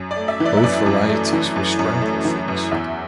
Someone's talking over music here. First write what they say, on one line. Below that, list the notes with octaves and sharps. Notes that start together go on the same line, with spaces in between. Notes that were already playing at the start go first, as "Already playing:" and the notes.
Both varieties were strangler figs.
Already playing: F#2
D5
A3
E5
E3
D5
E5
F#2 D5
F#2
A3
E3
F#2
F#2
A3
E3
F#2
E2 E5